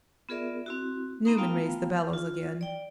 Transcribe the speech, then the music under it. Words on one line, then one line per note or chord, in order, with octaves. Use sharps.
Newman raised the bellows again.
B3 F4 G#4 A#4 D5 E5
C4 E4 F#4
A#3 B3 D#4 A#5 C6 D#6
A3 B3 F4 F5 G5 A#5
F4
D5 G5